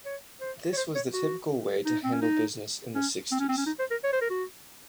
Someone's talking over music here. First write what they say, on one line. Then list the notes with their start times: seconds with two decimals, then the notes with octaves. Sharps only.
This was the typical way to handle business in the sixties.
0.05 C#5
0.41 C5
0.73 C#5
0.77 C5
0.95 C#5
1.13 F#4
1.86 D#4
2.04 C4
2.12 C#4
2.22 D#4
2.95 C#4
3.31 C4
3.40 C#4
3.48 C4
3.57 C#4
3.66 D#4
3.79 C5
3.91 A#4
4.04 C#5
4.13 C5
4.22 A#4
4.30 F#4